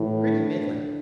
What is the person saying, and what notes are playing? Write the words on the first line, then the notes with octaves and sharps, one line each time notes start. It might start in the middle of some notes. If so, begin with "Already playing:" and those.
"Pretty middling."
Already playing: A2 E3
D3